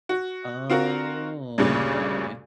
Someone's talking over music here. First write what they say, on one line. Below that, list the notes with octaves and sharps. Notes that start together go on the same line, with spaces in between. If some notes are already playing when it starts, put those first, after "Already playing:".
Oh, okay.
F#4
C4 F4 F#4 A#4
D2 G2 A#2 C#3